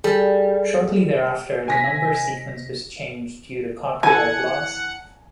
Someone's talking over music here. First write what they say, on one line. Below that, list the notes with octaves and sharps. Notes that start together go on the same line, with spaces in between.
Shortly thereafter, the number sequence was changed due to copyright laws.
G3 G#4 A4
C3 D#4 G#5 A#6 B6
E3 A4 F#5 G#5